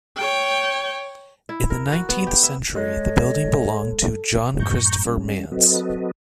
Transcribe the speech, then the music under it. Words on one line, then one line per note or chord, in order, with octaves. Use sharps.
In the nineteenth century, the building belonged to John Christopher Manse.
C#5 G5
E4
A#4
F#4
B3
G4
E5
G#2 G#3 A4 C#5 D#5
F#2 A2 A#5 C#6 G6
G3 C#4
F#3 C4 F#4 A4 B4 D#5